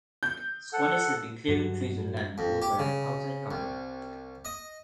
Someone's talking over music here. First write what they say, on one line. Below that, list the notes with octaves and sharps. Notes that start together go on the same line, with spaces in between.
Squatters had been clearing trees on land owned by an outside company.
G6
A4 F#5
G2 F#3
F2
G4
C#3
C2
D#5